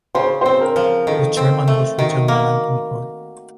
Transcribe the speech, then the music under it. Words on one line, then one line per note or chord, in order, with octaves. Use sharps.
The Chairman was Richard Melancthon Hurd.
C#3 C5
C4 C5
A#4
F3
D#3 A4
C4
A3
D#3 F#4
A#3